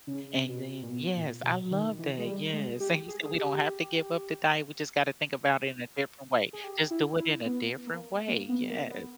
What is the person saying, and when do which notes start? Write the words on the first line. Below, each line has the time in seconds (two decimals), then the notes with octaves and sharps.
and then yes, I love that. Yes, and you said we don't have to give up the diet, we just gotta think about it in a different way. Just do it in a different way. Yes,
0.07 C#3
0.48 B2
0.82 A#2
0.89 B2
1.17 A#2
1.44 B2
1.71 D#3
1.99 E3
2.18 G#3
2.26 G3
2.53 G#3
2.80 G4
3.08 G#4
3.25 G#4
3.35 G4
6.53 G#4
6.64 G4
6.91 E4
7.19 E4
7.46 B3
7.87 A#3
8.28 A#3
8.49 B3
8.69 A#3
8.90 B3